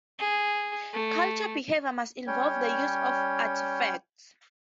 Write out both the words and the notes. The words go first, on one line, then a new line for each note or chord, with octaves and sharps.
Cultural behavior must involve the use of artifacts.
G#4
A3
G3 C#4 C#5 G5